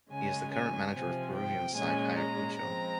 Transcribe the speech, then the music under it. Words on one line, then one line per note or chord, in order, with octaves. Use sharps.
He is the current manager of Peruvian side Ayacucho.
C#3 G#3 C#4 G#5
G#5
C3 F3 C4 G#5
G5
A#2 G#3 C#4 G#5
A#5
F3 G#3 C4 A#5